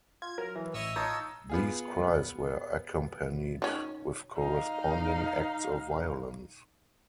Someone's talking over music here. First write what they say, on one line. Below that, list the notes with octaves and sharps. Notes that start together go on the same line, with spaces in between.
These cries were accompanied with corresponding acts of violence.
F4 G#6
F#3 A#4
E3
A1 E4 C#5 D#5 E6
D#4 F4 C#5 A5 D#6
B3 F4 G#4
D#3 C#4
D#4 F5